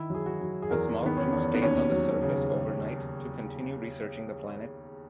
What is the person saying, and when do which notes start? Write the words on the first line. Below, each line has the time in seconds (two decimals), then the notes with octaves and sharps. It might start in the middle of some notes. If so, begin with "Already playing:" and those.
A small crew stays on the surface overnight to continue researching the planet.
Already playing: D#3 E4
0.10 F#3 G#4
0.26 F#4
0.41 F#3
0.62 G#4
0.70 E2 A#4
1.02 D#3 B3
1.17 C#4
1.32 E2
1.55 B3
1.62 D#2 C#4
1.92 F#3
2.22 C#3